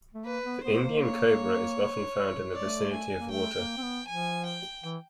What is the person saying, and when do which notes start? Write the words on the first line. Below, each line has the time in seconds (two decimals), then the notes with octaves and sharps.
The Indian cobra is often found in the vicinity of water.
0.14 A3
0.25 A#3 B4
0.44 B3
0.64 B3 C5
0.82 A#3
1.02 C#5
2.54 A3 D5
2.93 G#5
3.19 A#3
3.31 A3 G5
3.56 A#3
3.77 C4
3.82 B3
4.07 F3 G#5
4.46 G5
4.84 E3